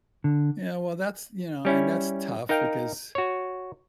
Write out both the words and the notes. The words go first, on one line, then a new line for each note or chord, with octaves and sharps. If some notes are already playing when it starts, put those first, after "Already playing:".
You know, well, that's you know, and that's tough because,
D3
G3 C#4 E4
D#4 A#4 F5 G5
F#4 C#5